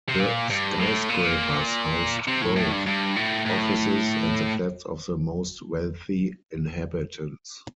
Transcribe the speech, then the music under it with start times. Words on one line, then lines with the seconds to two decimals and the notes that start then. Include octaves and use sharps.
The skyscrapers housed both offices and the flats of the most wealthy inhabitants.
0.09 C3
0.20 A#2
0.50 G2
0.79 A2
1.09 A#2
2.28 C3
2.42 A2
2.56 A2
2.72 G2
2.87 G2
3.17 A2
3.46 A2